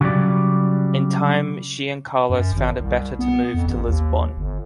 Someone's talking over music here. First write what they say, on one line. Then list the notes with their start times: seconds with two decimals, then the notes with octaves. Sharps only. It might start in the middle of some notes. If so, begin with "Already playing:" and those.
In time she and Carlos found it better to move to Lisbon.
0.01 C#3 F#3 G3 D5
2.30 F#2
2.53 G#1
2.81 C2
3.19 B3
3.54 F2
3.66 A1
3.87 D#2
4.37 G1